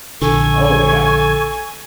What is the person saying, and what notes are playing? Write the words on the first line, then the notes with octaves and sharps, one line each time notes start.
Oh, yeah.
A#1 D3 A4 G#5 C#6